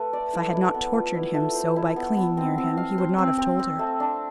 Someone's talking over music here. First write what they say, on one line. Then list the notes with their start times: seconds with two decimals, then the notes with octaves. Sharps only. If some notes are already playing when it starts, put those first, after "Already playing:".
If I had not tortured him so by clinging near him, he would not have told her.
Already playing: A3 B4
0.13 D5
0.33 E4
0.53 E4
0.74 B3
0.94 F4
1.15 E4
1.34 A3
1.55 C5
1.76 E4
1.96 B3
2.17 B3
2.37 C4
2.58 C4
2.77 F5
2.98 C5
3.18 C4
3.38 C4
3.59 C4
3.79 A3
4.00 D4